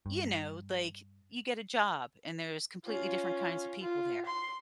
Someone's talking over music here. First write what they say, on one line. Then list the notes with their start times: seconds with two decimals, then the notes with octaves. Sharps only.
you know, like, you get a job, and there's completely different kinds of people there.
0.06 G2
2.86 C#4 F4
3.82 F4
4.26 C6